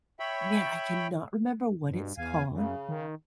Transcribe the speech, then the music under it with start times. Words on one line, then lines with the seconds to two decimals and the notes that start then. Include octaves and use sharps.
man, I cannot remember what it's called,
0.19 C#5 E5 G5 B5
1.91 G2 B2
2.18 E2 F5 G#5
2.51 F#2 C#3
2.89 D#3